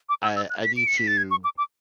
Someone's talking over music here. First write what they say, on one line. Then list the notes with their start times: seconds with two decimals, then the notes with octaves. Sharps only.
I I need to
0.09 D6
0.23 E6
0.36 E6
0.50 F#6
0.64 B6
0.77 D7
0.87 C#7
0.97 B6
1.07 A6
1.17 G#6
1.31 C#6
1.44 D6
1.58 D6